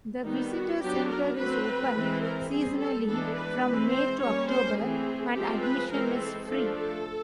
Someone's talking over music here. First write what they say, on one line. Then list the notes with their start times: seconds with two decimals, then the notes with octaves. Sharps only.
The Visitor Center is open seasonally from May to October, and admission is free.
0.24 D#3 G3 B3 D#4
0.53 F#4
0.81 F#3 B3 D4 G4
1.10 A#4
1.37 F#3 A3 C4 B4
1.94 E3 G#3 C4
2.23 A#4
2.50 G3 C4 G#4
2.79 A4
3.07 E3 G#3 B3 D4 A4
3.36 B4
3.63 E3 G#3 C4
3.92 C5
4.20 G3 A#3 C#4 C#5
4.49 C5
4.78 E3 A3 C4 G#4
5.34 F3 G#3 C4 G4
5.61 B4
5.91 E3 G#3 C4 A#4
6.19 A4
6.47 F3 A3 D4 A4
6.76 A4